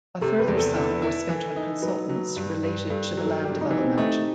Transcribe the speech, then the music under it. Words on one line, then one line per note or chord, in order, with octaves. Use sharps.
A further sum was spent on consultants related to the land development.
C3 A4
B4
E2
A4
E4
E4
E3
D#4
F#3 B4
F#3
G2
G2
G2 A4
F#3
A4
G3 G4
D#4
E3
C4
A3 D#4